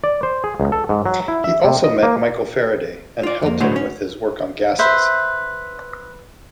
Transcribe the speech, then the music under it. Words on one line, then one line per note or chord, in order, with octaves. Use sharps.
He also met Michael Faraday and helped him with his work on gases.
D5
C5
G#4
C#2
A4
G#2
F#3
E4
E5
C3
D#5
A#3
F4 D5
F2 A#3
D2 A2 F#3 G#3 A3 C5
C#4
B4 C5 E5